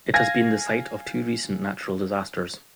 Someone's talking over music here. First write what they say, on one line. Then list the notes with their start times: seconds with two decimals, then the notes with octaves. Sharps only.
It has been the site of two recent natural disasters.
0.14 F5 G#5 G#6 A#6